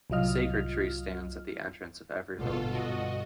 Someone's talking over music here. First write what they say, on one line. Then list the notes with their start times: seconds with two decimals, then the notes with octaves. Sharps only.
A sacred tree stands at the entrance of every village.
0.10 C2 A2 F#3 F4 D#5 F6
2.37 G1 B2 F4 A4
2.68 F#4 D#5